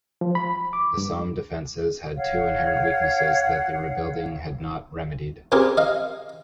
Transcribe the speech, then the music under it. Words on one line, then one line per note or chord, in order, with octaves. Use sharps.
The Somme defences had two inherent weaknesses that the rebuilding had not remedied.
F3
B5
D6
G2
C#5 F5 F#5
A#2 C4 G4 G#4 A#4
D#5 F5